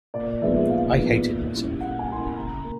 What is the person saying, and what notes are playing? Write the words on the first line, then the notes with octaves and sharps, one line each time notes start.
I hated myself.
A#2 D5
F3 G#3 B3 D#4 E5
A#2 F5
F3 G#3 B3 D#4
A#2
G3 A#3 C#4 E4
A#2 F#5
G#5
G3 A#3 C#4 E4 C6
B5
C#3 A#5
A#3